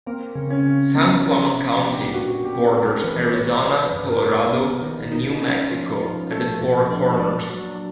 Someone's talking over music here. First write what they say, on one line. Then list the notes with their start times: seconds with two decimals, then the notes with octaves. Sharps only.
San Juan County borders Arizona, Colorado, and New Mexico at the Four Corners.
0.06 A#3 C4
0.35 C#3
0.50 C#4
0.66 C#3
0.96 B3
1.25 F3
1.55 D4
1.84 B3 G4
2.14 A#2 F#4
2.44 A#2 G4
2.69 A#4
2.74 C4 A4
3.04 E3 B4
3.33 E3 C#5
3.63 G3 B4
3.93 G2
4.08 A#4
4.23 A#3
4.53 B3
4.82 D#3
5.12 D#4
5.42 C#4
5.71 F3
6.02 F3
6.31 A3 A4
6.61 A#2
6.91 D4
7.20 D4
7.49 F#3